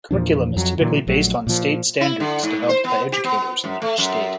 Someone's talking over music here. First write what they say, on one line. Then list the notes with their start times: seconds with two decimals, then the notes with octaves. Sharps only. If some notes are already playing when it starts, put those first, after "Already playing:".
Curriculum is typically based on state standards developed by educators in each state.
0.11 E2 A#2 F3 D4
0.56 F2 F#3
0.78 A#2 D3 E3 F#3
1.07 A#1 F#3 A3
1.47 A#2 F3
2.01 E4
2.20 D3
2.43 G#2
2.69 C5
2.85 B3
3.12 G4
3.24 B3
3.64 F#2
3.82 A3
3.98 F#2